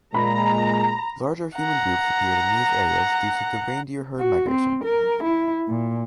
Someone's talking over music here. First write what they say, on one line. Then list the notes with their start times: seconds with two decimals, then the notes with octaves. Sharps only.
Larger human groups appeared in these areas due to the reindeer herd migration.
0.14 A#2 G#3 A#5 B5
1.57 F#5 A#5
4.19 F#4
4.50 C4
4.84 A#4
5.24 E4
5.68 A#2